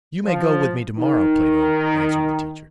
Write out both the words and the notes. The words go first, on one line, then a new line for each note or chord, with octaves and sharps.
"You may go with me to-morrow, Plato," answered the teacher.
F3
D#3